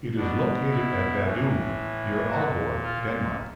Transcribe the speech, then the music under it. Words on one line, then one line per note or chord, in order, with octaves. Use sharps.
It is located at Vadum, near Aalborg, Denmark.
B2 D4
E4
A2 E3
A#2 F#4
F4